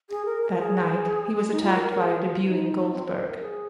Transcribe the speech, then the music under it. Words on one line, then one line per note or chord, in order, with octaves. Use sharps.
That night, he was attacked by a debuting Goldberg.
G#4
A#4
A#4
G#4
D#4
F4
A#4
A#4
G#4
F4
D#4
C4
C5
C5
A#4
G#4